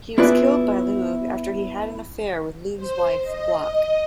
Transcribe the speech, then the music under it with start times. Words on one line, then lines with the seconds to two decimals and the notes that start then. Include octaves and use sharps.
He was killed by Lugh after he had an affair with Lug's wife Buach.
0.18 B3 E4 F4 G#4 B4 D5
2.76 C5
3.22 D#5